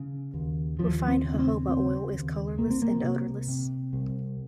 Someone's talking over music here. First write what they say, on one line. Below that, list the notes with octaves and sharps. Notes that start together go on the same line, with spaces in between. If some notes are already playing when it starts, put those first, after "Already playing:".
Refined jojoba oil is colorless and odorless.
Already playing: C#3
D#2
D#2 F3
C4
C#3
C#4
C4
C#3 C4
D#2
C2 A#3
C4
A#3
C3
C3
C2